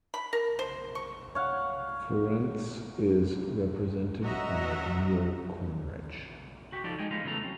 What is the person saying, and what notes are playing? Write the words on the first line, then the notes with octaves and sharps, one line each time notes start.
Ferentz is represented by Neil Cornrich.
B5
A#4
C5
C#6
C#5 F5 F#5
C#4 F#4 D#5 E5 F#5 A#5
F#4 G4
F3 D#4 F4 G4 A4 D5
G#3 D#4 G5 G#5
F3 G#3 A#3 B3 D#4 F5
E2 C#3 E3 F#3 A3 A#5
F#3 C4 C#4